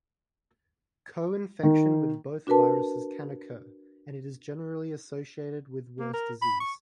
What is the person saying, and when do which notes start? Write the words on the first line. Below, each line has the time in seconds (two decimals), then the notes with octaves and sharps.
Co-infection with both viruses can occur, and is generally associated with worse disease.
1.63 D#3
2.47 D4 F#4 A#4 B4 A5
5.99 A#3
6.14 A#4
6.42 B5
6.60 C#6